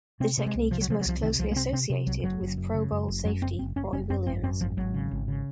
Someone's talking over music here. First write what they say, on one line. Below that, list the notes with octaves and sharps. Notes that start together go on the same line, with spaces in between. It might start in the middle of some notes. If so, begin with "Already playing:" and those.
The technique is most closely associated with Pro Bowl safety Roy Williams.
C3 C4
C3
G#3
C2
C3 F3
F#3
C3 F3
F#3
C2 F3
C3 D#3
C2 F3
A#3
C3 C4
C3 C4
C3
C2 F#3
F#1 F#3
F#1
F#2
C#3
F#2
F#1
F#2 F#3
F#1 C4
F#1 C4
F#1 C#4
F#1 C#4
F#2 C4
G#1 C4
F#2 C4
G#1 F3
G#1 F#3
C#3
G#1
C#3